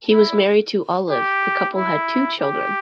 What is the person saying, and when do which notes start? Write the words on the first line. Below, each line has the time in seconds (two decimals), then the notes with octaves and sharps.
He was married to Olive; the couple had two children.
0.11 E4
1.10 G4
1.75 E4
2.41 G4